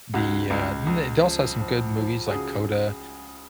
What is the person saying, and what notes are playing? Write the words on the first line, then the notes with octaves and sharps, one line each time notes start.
the, uh the they also have some good movies like CODA
C#2 F#4
C#2
C#2
F3
F3
F3
F#4
C#3 G#4